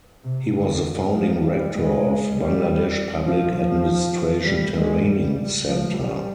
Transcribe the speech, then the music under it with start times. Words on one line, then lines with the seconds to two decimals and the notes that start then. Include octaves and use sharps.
He was the founding Rector of Bangladesh Public Administration Training Centre.
0.24 C3
0.55 D3
1.15 F3
1.45 G3
1.75 G#3
2.35 G3
3.26 F3
3.55 F3
4.46 G3
4.77 G#3
5.06 G3
5.67 F3
5.96 G3